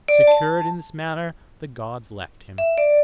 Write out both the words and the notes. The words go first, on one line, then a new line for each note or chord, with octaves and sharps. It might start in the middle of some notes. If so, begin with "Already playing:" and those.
Secured in this manner the gods left him.
D5
A5
E5
D5